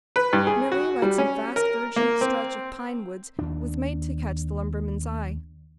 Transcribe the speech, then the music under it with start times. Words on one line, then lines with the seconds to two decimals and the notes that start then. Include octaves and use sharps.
Milly, like some vast virgin stretch of pine woods, was made to catch the lumberman's eye.
0.16 B4
0.33 G2
0.47 G#4
0.72 F#4
1.02 G3
1.18 C#4
1.56 A#4
1.96 A#3
2.21 C4
3.39 D#2 D4